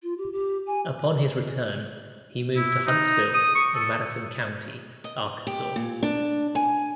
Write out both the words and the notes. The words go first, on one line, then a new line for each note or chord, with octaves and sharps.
Upon his return he moved to Huntsville in Madison County, Arkansas.
F4
G4
G4
G#5
E4
D#4
D#6
C#6
A4
D#5
G4
A#2
D4
G#5